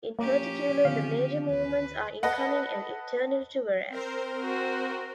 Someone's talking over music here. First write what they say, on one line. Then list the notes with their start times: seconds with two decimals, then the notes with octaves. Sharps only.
In particular, the major movements are incoming and internally to Varese.
0.19 F3 A#3 C#4 G4 C#5 A#5 D6
0.85 D3 D#3 B3 C4 F4 C5 F5
1.50 D2 B4
2.23 A4 B4 D#5 F#5
3.90 C4 A#4 C5
4.41 F#4